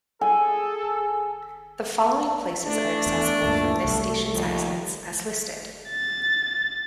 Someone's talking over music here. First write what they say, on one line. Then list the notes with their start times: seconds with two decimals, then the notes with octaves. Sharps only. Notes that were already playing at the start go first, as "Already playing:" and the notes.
The following places are accessible from this station's exits as listed.
0.21 G#4 A4 G#5
2.67 A3 D4
3.06 E2
3.44 D2 G2 A#2
3.85 C2 F#3 G3
4.34 D#2 F3
5.89 A6